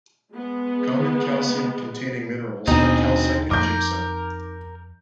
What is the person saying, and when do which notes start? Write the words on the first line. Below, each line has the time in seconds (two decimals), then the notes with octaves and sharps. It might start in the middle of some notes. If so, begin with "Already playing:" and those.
Common calcium-containing minerals are calcite and gypsum.
0.32 G#3 B3
2.67 D#2 B2 C4 D4 D#4 G#4
3.51 F2 A#4 D6 G6